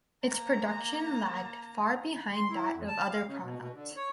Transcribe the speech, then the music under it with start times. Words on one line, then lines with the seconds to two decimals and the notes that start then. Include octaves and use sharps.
Its production lagged far behind that of other products.
0.25 A#3 A#5
2.34 C6
2.50 E4
2.73 F2
2.88 A5
3.10 F5
3.25 C#3
3.42 B2
3.58 B2
3.73 D3
3.97 C#5